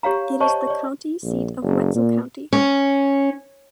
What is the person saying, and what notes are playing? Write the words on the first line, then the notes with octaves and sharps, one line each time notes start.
It is the county seat of Wetzel County.
G4 C#5 F5 A#5
C5 C#5 D#5 A5 C#6
C#5 D5
A#1
F#1
A#2
C#4